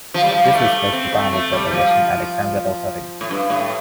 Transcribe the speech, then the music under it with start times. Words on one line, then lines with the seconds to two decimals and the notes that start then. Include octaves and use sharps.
This was first propounded by the Russian Alexander Oparin.
0.14 F3
0.23 G3
0.32 F3
0.45 G3
0.54 A3
0.93 C4
1.13 A3
1.33 A3
1.53 G3
1.72 F3
3.21 A2
3.31 G2
3.50 A2